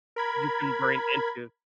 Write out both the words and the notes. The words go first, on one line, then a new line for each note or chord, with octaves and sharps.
you can bring into
A#4 B5 G#6